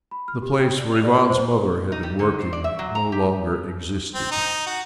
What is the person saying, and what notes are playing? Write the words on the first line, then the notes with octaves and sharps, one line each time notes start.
The place where Ivan's mother had been working no longer existed.
B5
F6
G4
G5
D5
F7
D5
F4
C5
D#4
G3
D3
C5
D5
E5
F#3
A#5
G4
C4
D#4
F#4